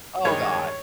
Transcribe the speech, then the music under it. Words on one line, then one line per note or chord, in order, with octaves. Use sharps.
Oh god.
G2 D#3 G#3 C#5